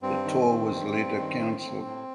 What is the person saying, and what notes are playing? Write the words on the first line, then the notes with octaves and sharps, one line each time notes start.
The tour was later cancelled.
G2 C4
D#3
D#3
G2
G2
D#3
A2
A2
A2